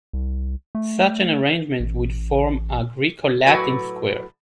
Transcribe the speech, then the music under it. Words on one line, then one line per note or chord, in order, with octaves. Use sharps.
Such an arrangement would form a Graeco-Latin square.
C2
A3
A1
A2 F#3 F#4 B4 D5